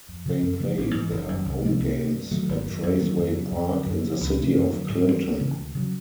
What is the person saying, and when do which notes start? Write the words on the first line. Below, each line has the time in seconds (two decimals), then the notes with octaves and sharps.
They play their home games at Traceway Park in the city of Clinton.
0.08 F2
0.25 C#3 F3
0.42 F#2
0.60 C#3 F3 A#3
0.77 A1
0.94 G#2 E3
1.11 F#1
1.28 F#2 D#3 G3
1.46 C2
1.62 C3 F3 A#3
1.80 C2
1.98 C3 D#3
2.14 G2
2.31 D#3 F#3 A3
2.49 G#1
2.66 F#2 D#3
2.83 F#2
3.00 D#3 F#3 A#3
3.17 F2
3.34 C#3 F#3
3.51 F2
3.69 D3 F#3
3.86 F#2
4.03 C#3 F3
4.21 C#2
4.38 C3 E3 A3
4.54 F#2
4.72 D3 F#3
4.89 G#2
5.06 E3 G3 C4
5.23 D2
5.41 C#3 E3
5.58 D2
5.75 C#3 F#3